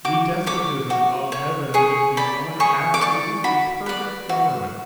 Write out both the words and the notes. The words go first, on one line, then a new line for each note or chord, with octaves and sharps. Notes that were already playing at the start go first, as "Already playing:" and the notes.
The despotism of heaven is the one absolutely perfect government.
F#4 D6
C#5 D6
F#4
C#5
G#4 C#6
D5 B5
G#4 C#6
D6
D5 C#6
F#4 B5
B4 D5
F#4